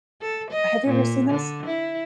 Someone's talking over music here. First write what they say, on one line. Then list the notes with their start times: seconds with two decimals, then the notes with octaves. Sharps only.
Have you ever seen those?
0.21 A4
0.51 D#5
0.88 A#2
1.30 D3
1.66 E4